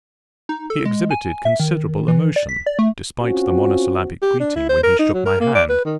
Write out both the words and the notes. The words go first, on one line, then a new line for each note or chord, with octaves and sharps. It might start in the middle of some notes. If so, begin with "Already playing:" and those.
He exhibited considerable emotion, despite the monosyllabic greeting, when he shook my hand.
D#4
A4
G#3
G#5
E5
D#3
E3
D5
B6
D5
A3
C4 C#4 F4 F#4
G4
D4
E4
C5
A#4
D#4
F#3
A#4
A#3
D5
B4
D#3